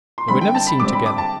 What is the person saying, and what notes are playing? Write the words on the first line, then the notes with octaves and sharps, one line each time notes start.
They were never seen together.
C6
D3 G3 C4 B5
G5
A5
B5
D3 G3 C4 D6
B5
D6
A5